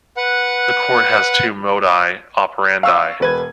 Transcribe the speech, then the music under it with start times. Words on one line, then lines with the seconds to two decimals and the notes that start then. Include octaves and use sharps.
The court has two modi operandi.
0.17 B4 F#5
2.83 F5 C#6 E6
3.20 E1 B4 G#6